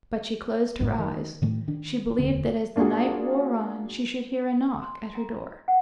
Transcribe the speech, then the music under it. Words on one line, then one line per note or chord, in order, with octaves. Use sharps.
But she closed her eyes; she believed that as the night wore on she should hear a knock at her door.
G#1 F#2 A2 G#3
D#3
A2 D#3 A3
D#3 D4
E1 D2 D3 C4
A#3 D4 F4 F#4 G#4
C6
A#5
F#5